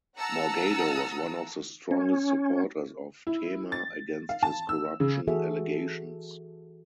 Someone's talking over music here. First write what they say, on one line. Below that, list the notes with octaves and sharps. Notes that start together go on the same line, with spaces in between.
Morgado was one of the strongest supporters of Temer against his corruption allegations.
F#5 A5 A#5 E6
C#4
E4
A6
F5
A5
E6
C#3
E3 F#4 G#4 A4 E5